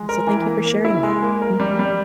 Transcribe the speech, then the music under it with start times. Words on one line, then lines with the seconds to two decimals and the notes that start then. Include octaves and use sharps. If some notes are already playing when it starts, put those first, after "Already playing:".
Uh, so thank you for sharing that, mhm.
Already playing: G#3
0.09 A#4
0.27 E3
0.47 A#3
0.66 A#3
0.85 E4
1.03 G#3
1.23 A#3
1.42 A#4
1.60 G3
1.79 G3